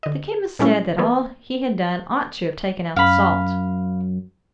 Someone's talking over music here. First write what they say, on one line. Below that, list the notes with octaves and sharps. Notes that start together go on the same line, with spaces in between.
The chemist said that all he had done ought to have taken out the salt.
D3 D#5
A#2 G3 G#3 C#4 E4
E3 A#3 B3
F#2 F5 B5